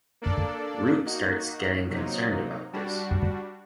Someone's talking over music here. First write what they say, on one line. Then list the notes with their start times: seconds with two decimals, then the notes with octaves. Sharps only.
Root starts getting concerned about this.
0.22 A#3 D4 A4 D5
1.06 A#3 D#4 F#4
1.89 C3 F#3 A#3 D#4
2.73 G3 D4 F#4